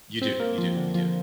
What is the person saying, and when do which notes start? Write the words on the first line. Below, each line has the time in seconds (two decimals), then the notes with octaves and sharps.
You do, you do, you do.
0.22 C4
0.40 A#3
0.58 F3
0.77 D3
0.95 F3